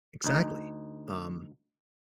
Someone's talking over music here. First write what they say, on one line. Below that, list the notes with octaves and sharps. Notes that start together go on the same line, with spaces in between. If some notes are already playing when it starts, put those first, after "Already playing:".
Exactly. Um,
D2 D#4